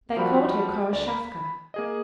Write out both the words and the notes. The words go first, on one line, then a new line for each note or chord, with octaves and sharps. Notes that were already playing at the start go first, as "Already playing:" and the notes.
They called her Khoroshavka.
F3 G3 F#4 B5
D2 D5
B5
A#3 G#4 D#5